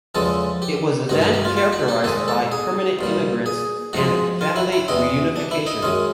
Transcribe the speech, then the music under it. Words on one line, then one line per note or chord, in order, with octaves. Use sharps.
It was then characterized by permanent immigrants and family reunification.
E2 C#3 F3 G#3 A4
G4
A1 G2 D#3 F#4
G4
F#4
F4
F4
F#4
G4
G#2 D#3 G#3 A4
A4
G#4
B1 A#2 G3
G#4
G#2 F3 G#3 F#4
F4
E4
E4
E2 C3 E3 D#4
D4
E4
D#4
F#2 D#3 G#3 C#4